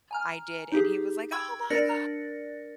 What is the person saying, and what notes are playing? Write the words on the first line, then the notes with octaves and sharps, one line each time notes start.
I did, and he was like, "Oh my god!
G#5 A#5 F6
D#4 G4 G#4
G5 B5 C#6 E6 G#6
D4 A#4 D5 A6 A#6 C#7